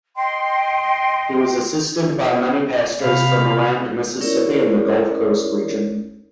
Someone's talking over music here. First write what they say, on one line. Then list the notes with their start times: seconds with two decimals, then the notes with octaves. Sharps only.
He was assisted by many pastors from around Mississippi and the Gulf Coast region.
0.16 D#5 G5 C6
3.01 C3 F5 B5
4.21 C#4 E4 A#4 C#5 D5